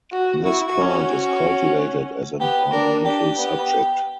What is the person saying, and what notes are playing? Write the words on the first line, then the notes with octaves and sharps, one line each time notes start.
This plant is cultivated as an ornamental subject.
F#4
E4 F#4
F#4
C#4
F#4
C#4
B3 G4
D4 A#4
D4 G4
B3